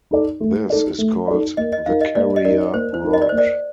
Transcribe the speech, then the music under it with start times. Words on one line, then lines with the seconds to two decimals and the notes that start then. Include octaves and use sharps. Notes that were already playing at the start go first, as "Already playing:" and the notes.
This is called the carrier rod.
0.11 D#4 A4 D5
0.40 A3
0.70 D#4 A4 D5
0.98 A3
1.28 D#4 A4 D5
1.57 A#3 D#5
1.73 D#5
1.86 D#4 A#4 F5
2.01 D#5
2.15 A#3 D5
2.36 D#5
2.45 D#4 A#4 D5
2.74 A#3 C5
2.94 C5
3.03 D#4 A#4
3.13 D#5
3.22 D5
3.29 A#3 C5
3.38 D5